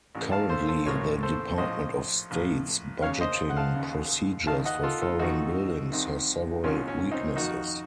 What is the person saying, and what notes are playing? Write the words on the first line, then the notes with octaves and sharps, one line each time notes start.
Currently, the Department of State's budgeting procedures for foreign buildings has several weaknesses.
A1 A2
F5 A5
A4 C5
A4 C5
A1 A2 A#4 C#5
A4 C5
A#1 A2 C5 D#5
A#1 A2
D#2 C#3 C#5 F5
C5 D#5
F#5
F5 A5
D#2 C#3
D#2 D#3 F5 A5
D#5 F#5
F4 A4
F4 A4
D#2 D#3 D#4 F#4
C2 C3 D#3
C2 C3 D#3 C#4 F4
C#4
C4 D#4
F2 D#3 D#4 F#4